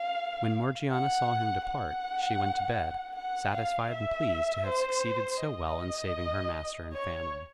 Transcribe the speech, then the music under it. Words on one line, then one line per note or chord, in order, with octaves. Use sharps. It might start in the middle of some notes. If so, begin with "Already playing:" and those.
When Morgiana saw him depart, she went to bed, satisfied and pleased to have succeeded so well in saving her master and family.
Already playing: F5
F#5
F#5
F#5
F5
E5
C5
D#5
C#5